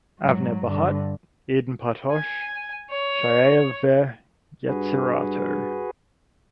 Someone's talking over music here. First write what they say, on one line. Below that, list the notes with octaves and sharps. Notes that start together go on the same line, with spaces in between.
Avner Bahat, Eden Partosh: Chayav ve-yetsirato.
G#2 F#3
G2 D3
G#5
C#5
G2 F#4 G#4 B4